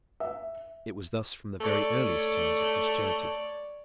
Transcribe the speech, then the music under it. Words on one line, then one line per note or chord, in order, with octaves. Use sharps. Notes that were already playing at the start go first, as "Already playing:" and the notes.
It was thus from the very earliest times of Christianity.
E5
A3 C#5 D5